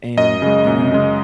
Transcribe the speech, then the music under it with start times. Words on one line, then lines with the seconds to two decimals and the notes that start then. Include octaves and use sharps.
and do
0.17 F#2 D#5
0.42 C#3 G#3
0.67 F#2
0.92 C#3 G#3